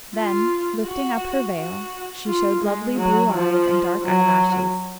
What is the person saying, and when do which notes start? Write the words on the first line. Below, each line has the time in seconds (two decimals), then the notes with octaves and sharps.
Then, lifting up her veil, she showed lovely blue eyes and dark eyelashes.
0.14 F4
0.84 F#4
1.55 F#4
2.26 F4
2.61 G#3
2.96 F#3
3.32 F3
4.03 F#3